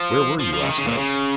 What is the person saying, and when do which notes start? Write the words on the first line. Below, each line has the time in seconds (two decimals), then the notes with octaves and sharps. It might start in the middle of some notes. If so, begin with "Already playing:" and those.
Where were you last night?
Already playing: F3
0.40 F3
0.54 F3
0.62 C#3
0.69 D#3
0.78 C#3
0.87 A#2
0.97 C#3